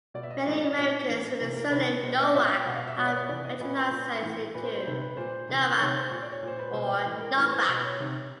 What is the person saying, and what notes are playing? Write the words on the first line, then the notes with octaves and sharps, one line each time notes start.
Many Americans with the surname Nowak have Anglicized it to Novak or Novack.
B2 D5
E5
D#5
A2 E3 D#5
D5
D#5
A#2 C#5
A2 E3
C3 E3
A#4
C3 D#3 B4
B4
B2 C5
D#5
A#2 E5
F5
G5
B2 F#5
F5
E5
B2 C#5
D5
C#5
C3 E3 D5
D#5
A#2 B4
B4
A#2
A2 E3
A#2 B4
C5
C5
C3 D#3 B4
B4
A#2 C5
C3 E3
C3 D#3 C#5
C5
A#2 C#5
D5
C#5
A#2 C5
B4
B2 C5
B4
A2 E3
A#4
A2 E3 B4
C5
B2 B4
C#5
C3 D#3